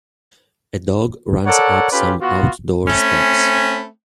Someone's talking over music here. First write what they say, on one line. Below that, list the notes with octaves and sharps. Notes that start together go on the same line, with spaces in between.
A dog runs up some outdoor steps.
A4 A#4 C#5 D5 F#5
C#4 F4 G4 A4 B4
B3 F4 F#4
A3 C4 C#4 G#5 B5